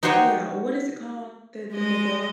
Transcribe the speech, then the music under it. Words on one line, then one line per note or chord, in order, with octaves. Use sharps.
Yeah, or, what is it called? The the the the
D#4 F#4 G4 C5 C#5 D#5
G#3 D#5